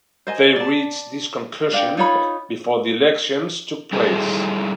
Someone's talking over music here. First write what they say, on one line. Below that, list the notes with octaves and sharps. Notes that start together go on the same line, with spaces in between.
They reached this conclusion before the elections took place.
C5 D#5 G#5
D5 A5
D4 F5 G5
D#4 F4 C#5 B5
G3 D#4 E4 G#4 A4